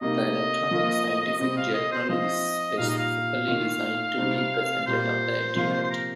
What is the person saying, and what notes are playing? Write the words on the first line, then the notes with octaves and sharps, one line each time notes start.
The electronic scientific journal is specifically designed to be presented on the internet.
C3 G3 A#3 D#4 D#5
F3 A#3 F4
C3 G3 C4 D#5
F5
D#5
C5
F3 C4 F4 D#5
A#2 G3 D#4 F5
D#5
F5
D#3 A#3 F4
C3 G3 C4 D#4
A#2 G3 A#3 C5
C3 F3 A#3 F4 C5
C5
C5
A#4